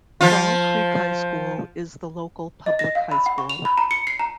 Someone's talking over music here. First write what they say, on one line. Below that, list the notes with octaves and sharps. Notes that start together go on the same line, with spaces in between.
Fall Creek High School is the local public high school.
F3 F4
D#5
A#6
F5
B5
F#5
C#6
F7
B5
A#5
C#7
C7
A#5